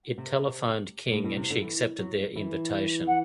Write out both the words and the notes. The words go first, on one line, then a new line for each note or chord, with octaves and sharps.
It telephoned King and she accepted their invitation.
C3
A2
B2
C3
D3
E3
F#3
E3
F#5